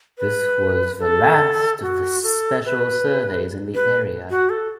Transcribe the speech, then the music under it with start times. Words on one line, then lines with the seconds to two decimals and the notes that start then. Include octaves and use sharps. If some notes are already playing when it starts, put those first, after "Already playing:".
This was the last of the special surveys in the area.
0.18 B4
1.00 A4
1.82 F#4
2.23 A4
2.65 B4
3.75 B4
4.30 F#4
4.50 A4